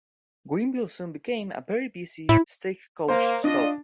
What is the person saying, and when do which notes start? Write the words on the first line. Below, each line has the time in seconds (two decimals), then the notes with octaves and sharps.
Greenville soon became a very busy stagecoach stop.
2.29 A2 E4
3.08 A#3 C5
3.44 D4 F4 D5 D#5